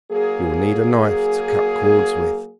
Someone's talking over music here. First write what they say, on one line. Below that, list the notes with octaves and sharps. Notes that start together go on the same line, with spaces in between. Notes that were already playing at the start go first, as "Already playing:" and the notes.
You will need a knife to cut cords with.
F#3 A#3 G#4